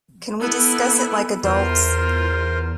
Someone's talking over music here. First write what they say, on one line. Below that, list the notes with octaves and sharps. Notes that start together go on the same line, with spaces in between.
Can we discuss it like adults?
B3 E4 A4
E2 F4 A#4 C5 C6